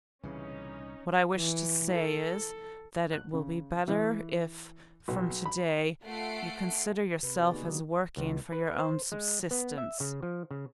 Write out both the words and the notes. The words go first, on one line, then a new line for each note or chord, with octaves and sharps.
What I wish to say is, that it will be better if from to-day you consider yourself as working for your own subsistence.
C2 A#2 C#3 E3 C#4 D#4
E3
A4
F#6
C#3
E3
B1
B5
A3 F4 A4 F#5 C7 D7
C3 B4
F#4 D5
A#3 B3 D#4 G#4 B4
D3 D#3 F#3
C#2
B4
C5
G#3
B3
E5
C#3
F3
C#3